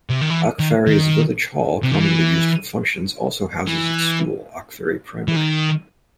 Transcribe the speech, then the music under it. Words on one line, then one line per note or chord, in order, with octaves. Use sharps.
Achfary's village hall, commonly used for functions, also houses its school, Achfary Primary.
C3
D#3
E3
D#3
D#3
C3
D#3
E3
E3
E3
D#3